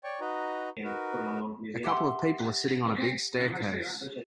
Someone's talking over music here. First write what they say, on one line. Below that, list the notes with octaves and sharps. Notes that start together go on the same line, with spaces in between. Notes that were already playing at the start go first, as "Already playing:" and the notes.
A couple of people are sitting on a big staircase.
C#5 D5 G5 C#6
D#4 F#4 B4 D#5 A#5
D#4 F#4 A#4 B4
G4 E5 F#5 C6